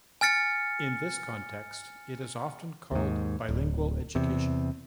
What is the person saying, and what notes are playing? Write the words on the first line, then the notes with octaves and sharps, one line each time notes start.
In this context, it is often called "bilingual education".
G#5 F6 A6 C#7
D#2 G#2
D1
E2 C3